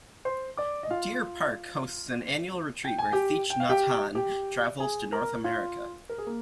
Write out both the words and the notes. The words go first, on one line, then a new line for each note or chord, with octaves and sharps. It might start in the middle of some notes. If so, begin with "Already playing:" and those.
Deer Park hosts an annual retreat when Thich Nhat Hanh travels to North America.
C5 C6
D5 D6
D#5
F4 F5
G5
G#5
G4 G5
G5
F5
G4 G5
G4 G5
G#4 G#5
A#4 A#5
F4 F5
A#4
G#4
A#3